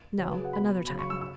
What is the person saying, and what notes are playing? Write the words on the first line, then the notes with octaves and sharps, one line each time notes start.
"No, another time."
C#3 F#3 C#4 C#5
B4
G#4
F#5
B2 B3 B5
F#2 C#3 F#3 B5
C#6
E6
E6